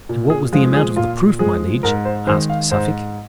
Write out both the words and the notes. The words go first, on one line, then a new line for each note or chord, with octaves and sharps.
"And what was the amount of the proof, my liege?" asked Suffolk.
A#2
G#4
F3 G#3 F4
G#4
A#2 F4
F3 G#3 G#4
G#2 A#4
C5
D#3 G#3 C5
F5
G#2 C5